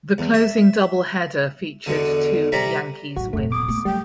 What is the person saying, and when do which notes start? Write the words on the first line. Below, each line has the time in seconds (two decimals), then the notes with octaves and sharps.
The closing doubleheader featured two Yankees wins.
0.18 E2
0.34 E5
1.86 E2 B2 D3
2.52 C3 G3 A#5 B5
3.16 A1 F#2 F#4
3.33 D#1 F#2 A3
3.52 D6 D#6
3.69 A3 B3
3.85 F#3 G3 A3 G5